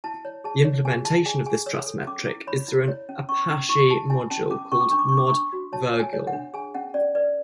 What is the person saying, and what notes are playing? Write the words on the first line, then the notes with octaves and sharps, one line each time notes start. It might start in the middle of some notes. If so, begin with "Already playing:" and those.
The implementation of this trust metric is through an Apache module called "mod virgule".
E4 A5
C#5
G#4 A5
C#5
G#4 G#5
E4 A5
G#4 G#5
G#4 G#5
C#5 E6
A4
C#4 D6
E4
C#5 B5
E4
C#5
C#4
C#4 C#6
C#4 E6
E4 C#6
E4 A5
E4 G#5
C#4 A5
C#4 D6
C#4 C#6
D6
D4 C#6
D6
D4 C#6
D6
C#6
D4
F#4
C#5 A5
C#5
G#5
C#5
F#5
D4
G#4 G#5
C#4 F#5
C#4 D5
B4 D5